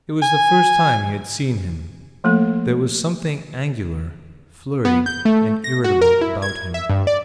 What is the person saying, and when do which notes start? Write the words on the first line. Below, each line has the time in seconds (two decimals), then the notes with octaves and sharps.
It was the first time he had seen him. There was something angular, flurried and irritable about him.
0.22 G#5
2.24 F3 A3 A#3 A4
4.85 B3
5.06 G6
5.25 A3
5.64 A#6
5.84 F#4
6.02 A#4
6.21 E4
6.42 G#6
6.74 E5
6.90 G2
7.07 D5